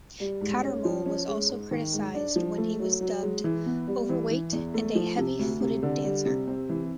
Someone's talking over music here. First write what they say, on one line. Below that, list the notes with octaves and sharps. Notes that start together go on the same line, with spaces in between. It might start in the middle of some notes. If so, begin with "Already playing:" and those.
Cattermole was also criticised when he was dubbed overweight and a "heavy-footed dancer".
G3
G#2
C#4
F3
C#4
G#3
G#2
D#3
G#2
D4
F3
A3
F#3
F#3
G#3
E3
B3
G3
E3
E3
E2
A3
F3
C3
D2
C3
D3
G3
C3
C4
E3